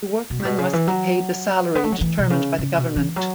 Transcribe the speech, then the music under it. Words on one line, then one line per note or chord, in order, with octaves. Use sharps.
The workmen must be paid the salary determined by the government.
B2
A2
B2
C#3
E3
F#3
B3
A3
F#3
E3
B2
C#3
C#3
B2
E3
F#3